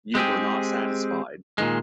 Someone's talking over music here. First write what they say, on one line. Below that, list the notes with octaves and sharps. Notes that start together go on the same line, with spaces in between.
You were not satisfied.
G#3 C4 G4 G#4
A#2 D#3 G#3